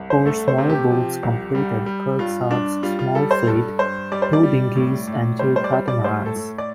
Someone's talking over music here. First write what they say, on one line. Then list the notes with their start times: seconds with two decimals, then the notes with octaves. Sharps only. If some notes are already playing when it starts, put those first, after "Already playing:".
Four smaller boats completed "Kearsarge"s small fleet: two dinghies and two catamarans.
Already playing: C2
0.10 C5
0.26 A3 A4
0.48 C5
0.58 C3
0.69 G4
0.90 F3
1.23 C2
1.55 G3
1.86 G3
2.19 G2 F4
2.50 G2 D4
2.83 G3 F4
2.99 F4
3.15 G3 A4
3.31 C5
3.47 G2 A4
3.79 G2 C5
4.12 G3 D5
4.22 C5
4.33 D5
4.43 G3
4.75 A2
5.07 A2
5.39 G3 C5
5.56 C5
5.64 D5
5.72 G3 C5
5.88 D5
6.04 A2 C5
6.26 A4
6.36 A2
6.58 D5